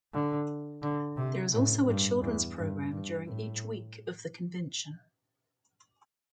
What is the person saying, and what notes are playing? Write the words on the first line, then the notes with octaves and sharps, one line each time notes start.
There is also a children's programme during each week of the Convention.
D3
D3
C3
A2
G2
E2
G2
G2
A2